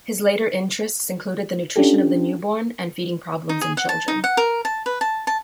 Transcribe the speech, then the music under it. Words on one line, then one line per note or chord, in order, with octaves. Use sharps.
His later interests included the nutrition of the newborn and feeding problems in children.
C#4 D4 F4 G4 A4
D#4
G#4
F#5
A5
D#4
F#5
A#4
A5
B4
A5
A5